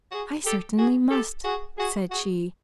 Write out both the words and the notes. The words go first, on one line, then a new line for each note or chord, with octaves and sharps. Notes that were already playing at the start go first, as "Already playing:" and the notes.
"I certainly must," said she.
F#4 G#4
G4 A4
F#4 G#4
G4 A4
F#4 G#4
F#4 G#4
F#4 G#4